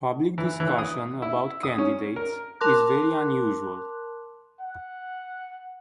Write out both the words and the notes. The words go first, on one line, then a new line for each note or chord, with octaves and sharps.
Public discussion about candidates is very unusual.
E3
E3
D#6
E4
D#6
C#4
A#4
A#4 A5 C6 D6 F#6
F#5